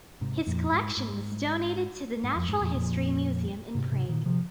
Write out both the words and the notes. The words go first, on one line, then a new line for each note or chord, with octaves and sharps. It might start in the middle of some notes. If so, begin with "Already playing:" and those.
His collection was donated to the Natural History Museum in Prague.
G#2 C3
F2 A#2
G#2
G#2
G#2
F2
G#2
F2 A#2
F2 A#2
G#2 C3
G#2 C3
A#2 D#3
C3 F3